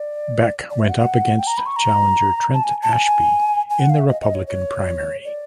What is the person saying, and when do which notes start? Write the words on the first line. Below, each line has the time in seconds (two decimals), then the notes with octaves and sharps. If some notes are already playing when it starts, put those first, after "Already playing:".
Beck went up against challenger Trent Ashby in the Republican primary.
Already playing: D5
0.70 D5
0.79 E5
0.89 F#5
0.99 F#5
1.38 G5
1.47 A#5
1.57 B5
1.66 C#6
1.76 A#5
2.54 A5
2.63 G#5
2.83 A5
2.92 G#5
3.70 G#5
3.79 F#5
3.90 F5
3.99 E5
4.09 D#5
4.21 D#5
4.34 C#5
4.47 C#5
5.25 D5